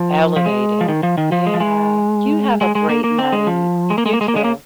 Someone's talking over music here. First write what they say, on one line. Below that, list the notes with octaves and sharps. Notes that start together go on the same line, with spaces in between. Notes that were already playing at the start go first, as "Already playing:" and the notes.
Elevated. Yeah. You have a great night. You too.
Already playing: F3
F3
G#3
F3
D#3
F3
D#3
F3
G#3
F3
G#3
G#3
G#3
A#3
A#3
C4
G#3
F3
G#3
A#3
G#3
A#3
G#3
A#3
G#3
A#3